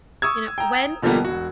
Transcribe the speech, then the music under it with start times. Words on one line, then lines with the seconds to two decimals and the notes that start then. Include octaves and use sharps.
you know, when
0.22 C#6 D#6 E6 G#6
0.58 G5 A#5
1.02 B2 D3 F3 G3 A#3 B3
1.25 E1 F#4